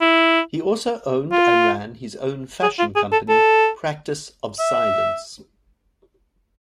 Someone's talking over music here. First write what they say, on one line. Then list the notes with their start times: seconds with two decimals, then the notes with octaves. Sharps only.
He also owned and ran his own fashion company Practice of Silence.
0.01 E4
1.32 F4
2.63 G#4
2.79 F4
2.96 G#4
3.12 A4
3.29 A4
4.59 E5